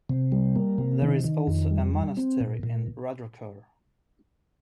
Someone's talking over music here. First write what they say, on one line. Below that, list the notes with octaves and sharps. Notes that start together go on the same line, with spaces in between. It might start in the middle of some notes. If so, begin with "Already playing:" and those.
There is also a Monastery in Rudrokor.
C3
G3
A#3
C3
D#3
D#3
F2
G3
G3
C4
A#2
A#2